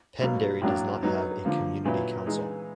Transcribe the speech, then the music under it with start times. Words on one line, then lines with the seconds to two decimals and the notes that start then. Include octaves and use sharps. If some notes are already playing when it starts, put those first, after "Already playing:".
Penderry does not have a community council.
0.21 B2 F#3 A#3
0.61 A2 F#3 A#3 D4
1.03 F#3 B3 D#4
1.45 D3 F3 A#3
1.85 A#2 F#3 B3 E4
2.26 E3 G#3 B3 D#4